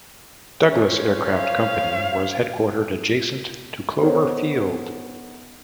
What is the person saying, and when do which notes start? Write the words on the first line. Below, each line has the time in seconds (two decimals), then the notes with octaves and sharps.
Douglas Aircraft Company was headquartered adjacent to Clover Field.
0.69 C#4 C5
1.32 F5
4.02 B3 D#4 A4 A#4 C5 C#5